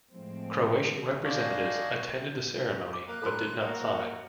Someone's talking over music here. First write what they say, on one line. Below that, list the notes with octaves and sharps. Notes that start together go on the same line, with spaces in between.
Croatian representatives attended the ceremony but did not sign.
A2 F3 G#3 C4
D#3 G#3 D4 F#4 D5 F5
D6
A#3 F#6
A2 A4 A#5 C6
A#3 F#4